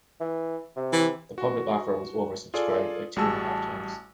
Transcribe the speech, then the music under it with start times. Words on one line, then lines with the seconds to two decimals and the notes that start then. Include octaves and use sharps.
The public offer was over-subscribed by two and a half times.
0.20 E3
0.76 C3
0.93 E3
1.38 F#4
2.54 F4 G#4 A4 D5
3.16 A1 G3 F#4 G#4 A5 E6